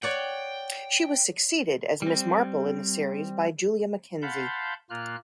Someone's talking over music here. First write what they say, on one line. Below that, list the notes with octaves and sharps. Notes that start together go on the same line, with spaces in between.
She was succeeded as Miss Marple in the series by Julia McKenzie.
C#5 D5 F#5 G5
G3 C4
F5 F#5 A5 B5 C6 G6
A#2 A#3 F4 F6 F#6